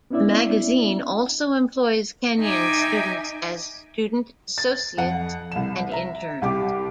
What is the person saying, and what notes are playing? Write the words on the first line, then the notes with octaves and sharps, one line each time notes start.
The magazine also employs Kenyon students as student associates and interns.
B3 C#4 D4 E4 D5 E5
D#4 E5 G5 G#5 D6
A6
F2 F#5
C2 E7
E5 A#5
C2 G4 D6